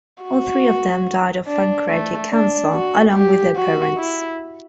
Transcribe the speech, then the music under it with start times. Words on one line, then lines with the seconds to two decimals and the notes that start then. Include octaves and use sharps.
All three of them died of pancreatic cancer, along with their parents.
0.23 F#4
1.47 D4
1.89 A3
2.31 D4
2.73 F#4
3.14 G4
3.56 F#4
3.97 E4